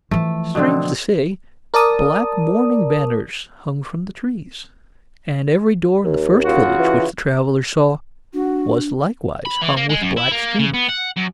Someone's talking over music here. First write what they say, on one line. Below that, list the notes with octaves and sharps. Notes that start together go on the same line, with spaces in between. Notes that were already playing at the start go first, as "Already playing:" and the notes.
Strange to say, black mourning banners hung from the trees, and every door in the first village which the travelers saw was likewise hung with black streamers.
E3 F3 A3
B2 D3 C4
A#4 D5 A5 D#6
D#2
C#3 F4 F#4
E3
D4 F#4
B5
E3
A#3
G#3
F#2
E4
A#3
C#3
B3
F#5
F#2